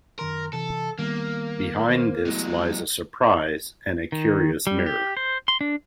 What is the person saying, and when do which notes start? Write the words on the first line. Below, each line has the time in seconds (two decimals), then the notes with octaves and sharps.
Behind this lies a surprise, and a curious mirror.
0.19 F#2 D#3 A#4 C6
0.53 C3 E3 A4 A5
0.99 D#3 G3 A#3 B3
1.88 C#2 D#3 C5
2.26 F#3 G#3 A3 B3 E4
4.12 D#3
4.67 G3
4.86 G4
5.17 C5
5.48 C6
5.61 D4